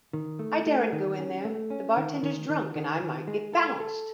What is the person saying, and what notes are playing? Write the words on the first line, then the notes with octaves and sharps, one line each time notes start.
I daren't go in there; the bartender's drunk, and I might get bounced.
D#3
A3
A3
D#3
C#4
A3
C#4
D#3
D#3
D#3
D#3
D#3
G#3
A4
A4